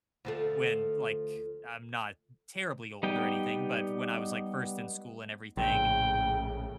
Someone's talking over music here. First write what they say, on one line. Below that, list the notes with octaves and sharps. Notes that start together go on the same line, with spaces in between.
when, like I'm not terribly old or anything, but when I was, like, first in school and everything,
D2 F3 A3
G3 B3 D#4 G5
A#1 A2 C#3 G5